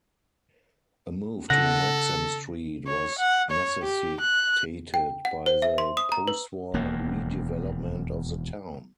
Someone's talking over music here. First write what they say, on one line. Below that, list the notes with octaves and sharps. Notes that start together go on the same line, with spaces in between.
A move to Wexham Street was necessitated by the postwar redevelopment of the town.
C#3 A4 F#5 A#6
C#5
F#5
C#5
G4
F#6
G5
F#5
C5
E5
C6
D#6
A#5
B4
E1 D#2 A#3